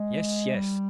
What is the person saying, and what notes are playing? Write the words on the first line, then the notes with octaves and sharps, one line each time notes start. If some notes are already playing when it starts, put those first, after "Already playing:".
Yes! yes!
Already playing: G#3
G3